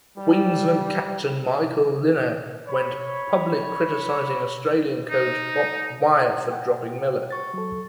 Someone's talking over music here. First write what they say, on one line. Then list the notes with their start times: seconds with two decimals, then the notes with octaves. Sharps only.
Queensland captain Michael Lynagh went public criticising Australian coach Bob Dwyer for dropping Miller.
0.18 G3
2.68 C#5 B5
5.10 D#4
6.51 F#5 G5
7.31 C#6 A6
7.54 F#3 A4